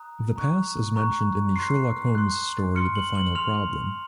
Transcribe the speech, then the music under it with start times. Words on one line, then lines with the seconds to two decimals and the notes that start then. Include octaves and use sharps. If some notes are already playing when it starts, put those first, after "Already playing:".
The pass is mentioned in the Sherlock Holmes story The Final Problem.
Already playing: A#5 D#6 F#6
0.36 A#5 C#6 F#6
0.96 A#5 C#6 F#6
1.56 C6 F#6 C7
2.15 C6 F#6
2.75 C6 F6 C#7
2.95 F#7
3.15 F#7
3.35 C6 F6 F7